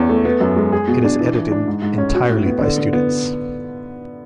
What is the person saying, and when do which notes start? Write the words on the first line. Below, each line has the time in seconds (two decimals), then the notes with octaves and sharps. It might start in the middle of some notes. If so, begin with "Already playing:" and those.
It is edited entirely by students.
Already playing: E2 C#4
0.09 A3
0.25 B3
0.41 F#2
0.56 G#3
0.72 G#4
0.88 B2
1.04 D4
1.20 E3
1.36 E3
1.51 D4
1.67 G#2
1.82 G#2
1.98 C#4
2.14 F#4
2.30 A2
2.46 B3
2.61 D3
2.78 D3
2.93 B3